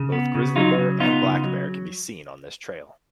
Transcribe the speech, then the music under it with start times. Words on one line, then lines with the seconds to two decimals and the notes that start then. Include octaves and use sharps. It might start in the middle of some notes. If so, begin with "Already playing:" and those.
Both Grizzly Bear and Black Bear can be seen on this trail.
Already playing: C#3
0.12 B3
0.35 C#3
0.56 F#3 D#4 F4
0.78 C#3
1.00 B3 D#4 F4
1.23 C#3
1.44 F#3